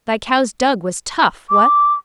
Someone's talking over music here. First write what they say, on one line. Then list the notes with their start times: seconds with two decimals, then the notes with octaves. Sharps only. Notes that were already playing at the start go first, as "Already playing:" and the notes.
Thy cow's dug was tough, what?
1.50 D6